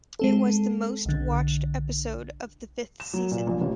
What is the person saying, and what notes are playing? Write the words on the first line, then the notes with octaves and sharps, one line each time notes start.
It was the most watched episode of the fifth season.
G#3 C4 A4
B1 D3
E7
F#3
A#2
A#1
A1